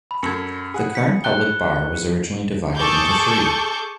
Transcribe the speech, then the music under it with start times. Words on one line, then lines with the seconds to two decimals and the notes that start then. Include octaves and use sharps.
The current public bar was originally divided into three.
0.11 B5
0.23 F#2 A4 G#6 C#7
0.74 G#4 F#5
0.95 B6 C#7
1.24 G5 A5 F#6 G7
2.76 G#4 A4 C#6 D6 G6